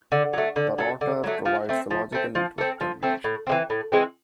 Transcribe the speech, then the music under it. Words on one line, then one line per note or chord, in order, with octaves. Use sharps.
The router provides the logical network termination.
D3
F#3 A3
D3
F#3 A3
D3
F#3 A3
F3
A3 C4
F3
A3 C4
F3
A3 C4
F3
A3 C4
A2
E3 G#3 C4
A2
E3 G#3 C4